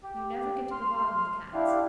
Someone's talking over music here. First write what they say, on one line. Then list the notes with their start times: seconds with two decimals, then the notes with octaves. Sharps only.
You never get to the bottom of Cats.
0.03 G4
0.71 C6 F6
1.54 D4 E4 G4 F5